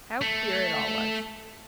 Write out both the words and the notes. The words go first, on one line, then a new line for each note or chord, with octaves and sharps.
How queer it all was!
A3